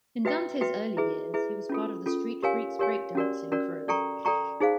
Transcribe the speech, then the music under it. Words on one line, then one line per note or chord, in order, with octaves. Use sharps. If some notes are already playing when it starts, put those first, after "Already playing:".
In Dante's early years, he was part of the Streat Freaks breakdancing crew.
F#4 B4 E5 G5
F#4 B4 E5 G5
E4 G#4 B4 E5
E4 G#4 B4 E5
C#4 F4 A4
C#4 F4 A4
G4 A#4 C#5 F5 G#5
G4 A#4 C#5 F5 G#5
C#4 F#4 A#4 D5
C#4 F#4 A#4 D5
A4 D5 G5 A#5 C#6
A4 D5 G5 A#5 C#6
D#4 G#4 C5 F5